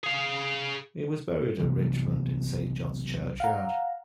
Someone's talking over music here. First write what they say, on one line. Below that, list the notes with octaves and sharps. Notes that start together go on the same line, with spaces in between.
He was buried at Richmond in Saint John's churchyard.
G#4 F5
B1 C3 E3
F5 F#5 A#5